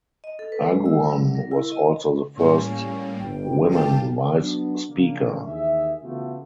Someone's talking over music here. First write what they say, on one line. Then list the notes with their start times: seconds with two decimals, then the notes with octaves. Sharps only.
Aguon was also the first woman Vice Speaker.
0.24 D#5
0.39 A4
0.52 B4
0.66 G#3
0.85 E6
1.09 F#3
1.35 A#4
1.51 E4
1.72 D#5
2.37 A2 G3 A#3 C#4
3.20 G1 G5
3.72 F4 G4 G5 A5
4.35 F#3 B3 D4
4.90 C#3 F3 A#3 D4
5.45 D#2 E3 G#4 E5
6.02 C#3 E3 A3 B3 F4 F#4